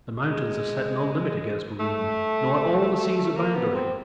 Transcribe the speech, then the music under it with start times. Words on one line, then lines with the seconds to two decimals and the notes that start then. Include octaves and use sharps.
The Mountains have set no limit against Roon nor all the seas a boundary.
0.24 G#3
1.79 A3
3.24 A3
3.36 A#3
3.55 B3
3.74 C4